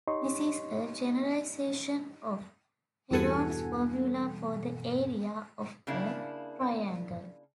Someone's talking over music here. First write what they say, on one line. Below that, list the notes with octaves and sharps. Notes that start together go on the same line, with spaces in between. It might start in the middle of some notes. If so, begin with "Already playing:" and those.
This is a generalization of Heron's formula for the area of a triangle.
D#4 G4 C#5 D#5 C6 C#6
E2 G2 B2 A4 F#5 G#5
C#3 A#3 D4 E4